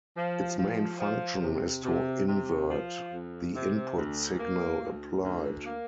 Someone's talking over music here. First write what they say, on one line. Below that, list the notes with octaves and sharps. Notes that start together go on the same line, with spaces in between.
Its main function is to invert the input signal applied.
F3
F3
F3
C3
C3
C3
F3
F2
C3
D2
A#3
D2
D2
A#3